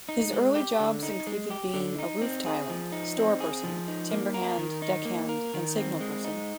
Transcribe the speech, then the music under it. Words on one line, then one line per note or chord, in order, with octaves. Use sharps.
His early jobs included being a roof tiler, storeperson, timberhand, deckhand, and signalperson.
D#4
G#3
G4
D3
D#4
G#3
G4
D3
D#4
C4
G#4
F3
D#4
C4
G#4
F3
D#4
A#3
A#4
D#3
D#4
A#3
A#4
D#3
C4
G#3
D#4